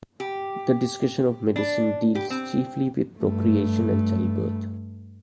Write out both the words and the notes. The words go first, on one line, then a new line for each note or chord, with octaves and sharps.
The discussion of medicine deals chiefly with procreation and childbirth.
G4
D4
G4
C4
G2 A3